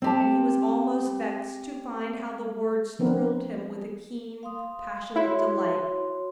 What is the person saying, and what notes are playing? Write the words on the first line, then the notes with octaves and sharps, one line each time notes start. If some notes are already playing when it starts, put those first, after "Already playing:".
And he was almost vexed to find how the words thrilled him with a keen, passionate delight.
C4 G4 A5
F3 B3 C4 D4 A#4 B4
F5 C6 D#6
E4 F#4 C#5 C6